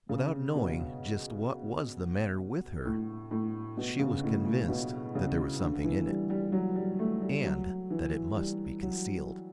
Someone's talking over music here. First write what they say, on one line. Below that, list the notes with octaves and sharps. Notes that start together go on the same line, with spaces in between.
Without knowing just what was the matter with her she was convinced that there was something in it, and that it must be concealed.
C#3
B2
A2
A2
B2
C#3
A2
A2
B2
C#3
D3
E3
G3
G3
F#3
G3
A3
G3
F#3
E3
G3
F#3